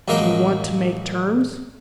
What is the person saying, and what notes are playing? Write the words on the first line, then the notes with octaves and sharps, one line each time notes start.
"Do you want to make terms?"
A1 F#2 G#3 A#3 D#5 G5